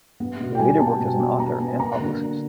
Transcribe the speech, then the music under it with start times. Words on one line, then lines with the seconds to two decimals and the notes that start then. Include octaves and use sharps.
He later worked as an author and publicist.
0.20 B3
0.40 B2
0.55 G5
0.59 G3 G#5
0.80 B3 A5
1.00 B2
1.19 B3
1.40 B3 A#5
1.60 B3
1.79 A#3 A#5
2.00 D3
2.19 D3